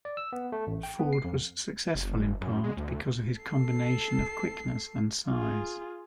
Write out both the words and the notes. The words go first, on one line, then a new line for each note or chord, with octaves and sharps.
Ford was successful in part because of his combination of quickness and size.
D5
E6
B3
A3
A1
G5
B3
C7
F2
F#1
F#2
G#3
D2
A4 C7
F4 G#4